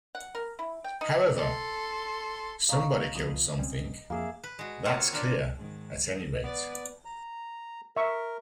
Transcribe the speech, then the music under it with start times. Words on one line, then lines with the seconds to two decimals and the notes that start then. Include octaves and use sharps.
However, somebody killed something: that's clear, at any rate.
0.15 F#5
0.35 A#4
0.59 E4
0.84 G5
1.01 D#4
1.37 A4 C6
2.69 D#5 F5 A#5 C#6
3.15 C2 C3 F3 D#6
3.59 G3 C4 C#4
4.10 F2 A#3 G#4 E5
4.43 B4
4.59 G#3 F#4
4.85 A#3 C4 F4 C5 C#5 F#5
5.12 D4 F4 A#4 B4 C#5
5.56 G#2 D#3
6.44 B3 B4 D5
7.05 A#5
7.97 A#4 E5 C#6